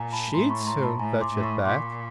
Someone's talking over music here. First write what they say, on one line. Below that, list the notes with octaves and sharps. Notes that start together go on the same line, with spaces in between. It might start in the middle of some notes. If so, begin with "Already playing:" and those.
'She'd soon fetch it back!'
Already playing: A#2 G#5 A#5
A5 B5
A2 A#5 C6
B5 C#6
A#5 C6
A5 B5
A2 G#5 A#5
C6 D6
A2
B5 C#6
A#2 C6 D6